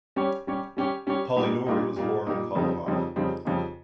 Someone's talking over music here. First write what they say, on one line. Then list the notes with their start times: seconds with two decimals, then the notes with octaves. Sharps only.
Polydouri was born in Kalamata.
0.16 G3 C#4 G4 C#5
0.47 G3 C#4 G4 C#5
0.77 G3 C#4 G4 C#5
1.07 G3 C#4 G4 C#5
1.36 A#2 G3 A#3 D#4
1.67 A#2 G3 A#3 D#4
1.96 A#2 G3 A#3 D#4
2.27 A#2 G3 A#3 D#4
2.55 F2 C#3 G3 C4 D#4
2.86 F2 C#3 G3 C4 D#4
3.16 F2 C#3 G3 C4 D#4
3.45 F2 C#3 G3 C4 D#4